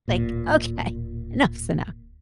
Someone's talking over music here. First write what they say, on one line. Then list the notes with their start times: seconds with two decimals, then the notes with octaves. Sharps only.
like, okay, enough's enough.
0.08 D1 A#2